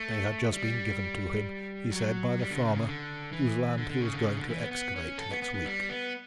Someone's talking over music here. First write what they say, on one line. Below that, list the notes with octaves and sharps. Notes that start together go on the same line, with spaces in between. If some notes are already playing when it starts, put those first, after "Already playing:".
They had just been given to him, he said, by the farmer whose land he was going to excavate next week.
Already playing: A3
G3
F#3
G3
D3
C#3
C#3
D3
E3
D3
D3
C#3
D3
C#3
D3
E3
B3
B3
C#4
A4
B3
B3
B3
G3
B3